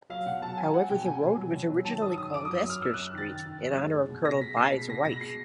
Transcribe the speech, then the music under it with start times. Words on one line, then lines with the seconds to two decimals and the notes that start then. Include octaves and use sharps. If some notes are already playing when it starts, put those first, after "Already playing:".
However, the road was originally called Esther Street in honour of Colonel By's wife.
0.10 F#3 F5
0.26 B2 F#5
0.42 F#3 A5
0.57 F#3 G#5
0.74 F#3 F#5
0.89 B2 G5
1.05 B2 G#5
1.22 B2
1.38 F#3
1.53 B2
1.69 F#3
1.85 D#3 A5
2.02 F#2 D#6
2.18 D#3 D#6
2.33 F#2 D6
2.45 D#6
2.49 F#3
2.57 D#6
2.65 F#2 F6
2.81 F#2 E6
2.94 F#2 F#6
3.13 D#3 A6
3.29 D#3
3.46 D#3
3.62 F#2
3.77 G#3
3.93 G#3
4.09 B2
4.25 G#3 A#6
4.41 G#3 B6
4.56 B2 C7
4.72 G#3 B6
4.88 B2 A#6
5.05 B2 A#6
5.21 G#3 C7